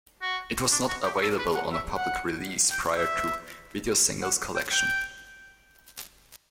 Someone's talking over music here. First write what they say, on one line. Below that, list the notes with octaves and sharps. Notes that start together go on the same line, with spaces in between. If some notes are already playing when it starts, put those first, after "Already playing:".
It was not available on a public release prior to "Video Singles Collection".
F#4
D4
F#4
G4
A4
B4
F#5
E5
F#5
G5
E5
F#5
G5
G5